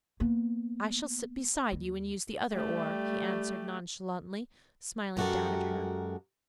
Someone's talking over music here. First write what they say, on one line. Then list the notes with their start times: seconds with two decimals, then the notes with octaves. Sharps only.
"I shall sit beside you and use the other oar," he answered nonchalantly, smiling down at her.
0.20 A#3 B3
1.72 D#2 G3
2.54 G3 A3 G4
5.17 F#2 G#3 F#4 G4 A4 A#4